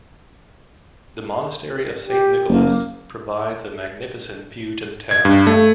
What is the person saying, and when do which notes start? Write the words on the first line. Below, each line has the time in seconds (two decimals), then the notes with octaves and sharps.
The monastery of Saint Nicolas provides a magnificent view to the town.
2.07 G4
2.48 F#1 A#3
5.11 G#6
5.25 G2
5.47 A3